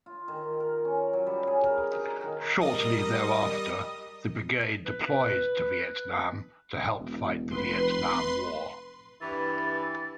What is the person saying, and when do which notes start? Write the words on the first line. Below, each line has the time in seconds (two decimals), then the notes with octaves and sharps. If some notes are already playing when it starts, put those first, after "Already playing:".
Shortly thereafter, the brigade deployed to Vietnam to help fight the Vietnam War.
0.06 F4
0.28 D#3
0.60 A#4
0.85 C#4
1.13 F#3
1.26 G3
1.47 G#4
1.64 A#4
1.91 D#4
2.21 D#3
2.61 G3 A#4 D#5 D#6
4.86 B4
6.99 E1
7.50 F1 B4 C6
9.21 G2 E3 A6